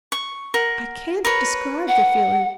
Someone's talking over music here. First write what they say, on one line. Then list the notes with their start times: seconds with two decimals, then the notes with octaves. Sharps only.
I can't describe the feeling.
0.12 C#6
0.54 A#4 F#5
1.25 A#4 B4 C#5
1.88 F#5